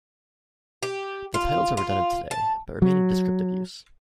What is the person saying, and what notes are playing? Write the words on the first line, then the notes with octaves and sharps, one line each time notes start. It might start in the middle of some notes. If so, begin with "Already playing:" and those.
The titles are redundant today but remain in descriptive use.
G4
F4
F4
A5
F#3